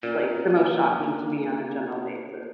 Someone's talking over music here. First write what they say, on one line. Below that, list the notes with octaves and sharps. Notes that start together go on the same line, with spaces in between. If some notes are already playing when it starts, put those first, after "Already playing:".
like, the most shocking to me on a general basis.
A#2 A#3 C#4